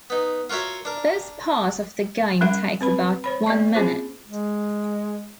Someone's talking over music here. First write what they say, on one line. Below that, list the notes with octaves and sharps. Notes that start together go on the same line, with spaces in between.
This part of the game takes about one minute.
B3 D#4
F4 F#4 A#4 C#5 E5
D4 A#4
G3 C#4 A#4 E5 F#5
C4 B4 B5
C5 C#5 B5
A#3 D5 D#5 C#6
C4 C#4 F4 G#4 C5
G#3